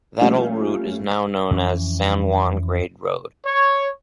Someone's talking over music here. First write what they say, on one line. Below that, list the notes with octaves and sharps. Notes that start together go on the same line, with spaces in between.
That old route is now known as San Juan Grade Road.
F3 G3 A3 A#3 C#4 F4
F2 E3 C#4
C#5